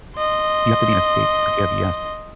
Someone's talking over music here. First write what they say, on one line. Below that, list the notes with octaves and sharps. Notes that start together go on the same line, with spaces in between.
you have to be in a state to forgive, yes.
D#5 C6